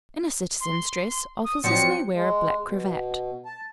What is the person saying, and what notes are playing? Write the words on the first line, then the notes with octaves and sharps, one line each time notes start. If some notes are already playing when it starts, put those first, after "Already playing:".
In a citizen's dress, officers may wear a black cravat.
C6
D#6
F3 F#3 C4 C#7
G#3
B2
A5